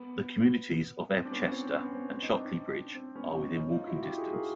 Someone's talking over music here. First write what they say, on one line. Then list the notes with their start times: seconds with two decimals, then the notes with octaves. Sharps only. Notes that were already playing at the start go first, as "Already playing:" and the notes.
The communities of Ebchester and Shotley Bridge are within walking distance.
Already playing: B3
1.11 C4
1.25 D4
1.31 B3 C#4
1.52 C4 D4
1.72 B3 C#4
1.93 C4
2.22 D#4
2.33 C4 D4
2.95 C4
3.15 B3 C#4
3.36 C#4 D#4
3.56 C#4 D#4
3.72 D#4 F4
3.87 E4 F#4
4.02 F4 G4
4.18 F#4 G#4
4.33 G#4 A#4